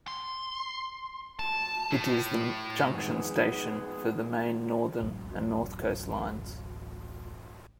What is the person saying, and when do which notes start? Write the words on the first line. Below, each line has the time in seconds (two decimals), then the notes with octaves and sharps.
It is the junction station for the Main Northern and North Coast lines.
0.08 C6
1.39 A5
1.91 A2
2.93 G#1 F2 G#2 G#3 B3 G#4 G#5
5.00 D1 A1 F#2 G#3